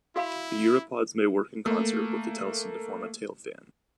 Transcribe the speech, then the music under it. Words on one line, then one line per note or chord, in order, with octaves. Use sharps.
The uropods may work in concert with the telson to form a "tail fan".
E4 F#4 F5 B5
A3 A#3